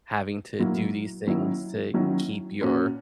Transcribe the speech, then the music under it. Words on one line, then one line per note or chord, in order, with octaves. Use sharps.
having to do these things to keep your
A#2 F#3 A#3 E4
D#3 F#3 C#4 E4
D#3 F#3 C#4 E4
A#2 A#3 C#4 F#4